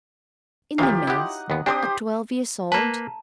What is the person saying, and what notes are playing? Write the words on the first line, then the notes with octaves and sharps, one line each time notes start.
"In the mills--at twelve years old!"
D#2 E3 D#4 F4 G4 F5
E4 G4 D#5 F#5
D#2 B3
C4 D4 G4 C5 D#6
A#3 B4 A5 A#5